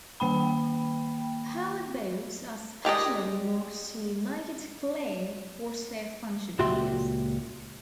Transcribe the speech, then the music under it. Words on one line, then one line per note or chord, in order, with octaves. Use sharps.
Pilot boats are specially marked to make it clear what their function is.
D#3 A#3 G5 B5
G#3 G4 D5 D#5
C#2 A#2 F#4 G4 E5 C6